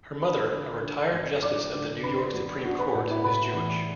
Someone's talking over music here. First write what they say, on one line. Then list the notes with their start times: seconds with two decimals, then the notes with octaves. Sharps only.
Her mother, a retired justice of the New York Supreme Court, is Jewish.
0.22 D4 B4 B5
0.52 D3
0.83 D3
1.13 F#3
1.42 D4 D5 D6
1.74 D3
2.03 D3 B4 B5
2.33 F#3
2.64 D4 F#4 F#5
2.79 B4 B5
2.94 A2 F#4 F#5
3.10 E4 E5
3.24 A2 B4 B5
3.54 E3